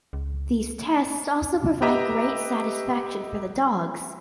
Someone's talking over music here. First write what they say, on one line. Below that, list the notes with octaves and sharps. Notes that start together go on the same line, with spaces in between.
These tests also provide great satisfaction for the dogs.
C#2
G4 B4 D#5 E5 A#5